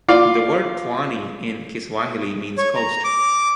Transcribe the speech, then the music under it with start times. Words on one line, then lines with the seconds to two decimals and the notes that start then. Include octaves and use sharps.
The word "pwani" in Kiswahili means "coast".
0.08 F4 D5
2.58 C#5
2.75 A#5
3.04 D6